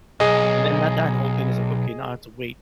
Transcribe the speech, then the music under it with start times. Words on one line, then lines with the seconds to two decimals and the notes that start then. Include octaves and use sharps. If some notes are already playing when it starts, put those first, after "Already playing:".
and then that that whole thing is like, okay, now I have to wait,
0.20 B1 G#4 D#5